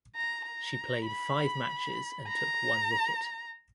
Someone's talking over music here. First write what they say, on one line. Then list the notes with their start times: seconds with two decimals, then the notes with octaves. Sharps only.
She played five matches and took one wicket.
0.15 A#5
0.45 A#5
1.06 B5
2.28 A#5